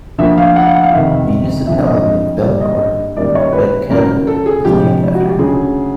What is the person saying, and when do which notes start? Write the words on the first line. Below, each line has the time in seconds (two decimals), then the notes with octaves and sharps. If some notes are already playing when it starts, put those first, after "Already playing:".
The Municipality of Belcourt in Quebec, Canada, was named after him.
0.18 D2 D3 F3 A#3 E5
0.38 F5
0.56 F#5
0.66 F5
0.75 F#5
0.83 F5
0.93 F2 C3 D#3 E5
1.67 F2 D3 F3 E5
1.86 D#5
2.41 G2 D3 G3 A#3 D5
2.60 D#5
3.16 F#2 D#3 G3 A#3 D5
3.35 C#5
3.53 B4
3.90 F#2 C#3 F#3 A#4
4.27 A4
4.46 G#4
4.65 D2 C3 F3 G#3 G4
5.15 F#4
5.26 G4
5.39 D2 C#3 F#3 G#4